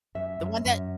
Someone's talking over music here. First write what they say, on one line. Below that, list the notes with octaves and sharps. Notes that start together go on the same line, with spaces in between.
the one that
F#2 E5
F#2
F#2